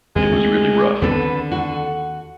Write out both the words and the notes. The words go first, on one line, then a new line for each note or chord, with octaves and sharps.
It was really rough.
D#2 G#3 C4
A3 C4
D#2 D3 B3 C4 A4 B4
F#4